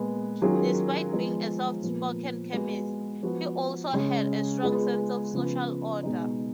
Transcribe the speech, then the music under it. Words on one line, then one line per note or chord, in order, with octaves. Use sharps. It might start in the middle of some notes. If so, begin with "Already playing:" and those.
Despite being a soft-spoken chemist, he also had a strong sense of social order.
Already playing: A#2 G#3 B3
D#3 F#3 C#4 F4 G#4
F3 G#3 B3 F4
A#2 F3 B3
G#3 B3 F#4
F3 B3 F#4
C#3 G#3 C#4 G#4
G#3 B3 F4 G#4
C#3 F3 B3 F4
B2 G#3 D#4